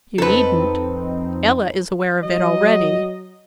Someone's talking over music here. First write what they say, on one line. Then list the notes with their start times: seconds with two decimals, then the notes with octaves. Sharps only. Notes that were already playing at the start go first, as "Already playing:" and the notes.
"You needn't--Ella is aware of it already."
0.18 F2 C4 D#4 A4 B4
2.23 F#3 D#5